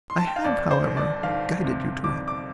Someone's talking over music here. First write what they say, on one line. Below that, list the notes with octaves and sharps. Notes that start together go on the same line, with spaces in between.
I have, however, guided you to him.
C6
A5
G5
F5
F2 D5
C5
G1
D5
G1 F5
C3
F2 D6
D6